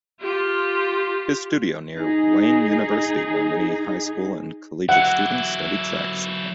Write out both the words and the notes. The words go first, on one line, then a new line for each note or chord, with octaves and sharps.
His studio near Wayne University where many high school and collegiate students studied saxophone.
F4 G4
D#4 G#4
F#3 E4 F#5